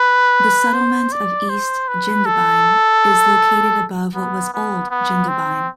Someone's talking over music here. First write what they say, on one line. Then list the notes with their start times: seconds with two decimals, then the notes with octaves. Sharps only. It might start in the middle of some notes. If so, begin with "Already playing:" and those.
The settlement of East Jindabyne is located above what was Old Jindabyne.
Already playing: B4
0.74 C5
1.12 D5
1.50 C5
1.88 B4
2.26 A4
4.15 B3
4.54 B3
4.91 B3
5.29 C4